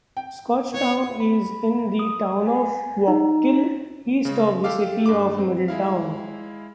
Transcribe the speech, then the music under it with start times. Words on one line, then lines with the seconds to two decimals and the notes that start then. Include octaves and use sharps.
Scotchtown is in the Town of Wallkill, east of the City of Middletown.
0.17 G5
0.74 B3 C#5
1.20 B5
1.99 D#6
2.47 G#5
3.08 D#4
4.25 C#3 G#3
4.64 G4 A4 F5 D6
5.06 G2 D6
5.38 C4
5.68 G#3 E4 F5